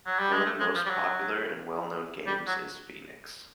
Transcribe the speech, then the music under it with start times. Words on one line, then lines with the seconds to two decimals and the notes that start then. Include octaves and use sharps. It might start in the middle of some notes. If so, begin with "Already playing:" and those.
One of the most popular and well-known games is Phoenix.
0.06 F#3
0.19 G3
0.32 G#3
0.45 A3
0.60 G#3
0.75 F3
0.86 G3
0.90 F#3
2.27 G3
2.47 F#3